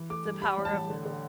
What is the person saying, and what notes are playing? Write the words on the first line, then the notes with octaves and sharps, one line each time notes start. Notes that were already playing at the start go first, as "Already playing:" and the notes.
The Power of N
Already playing: E3
A3 D6
G2
G3 B5
A1
A5
A1
D3
D3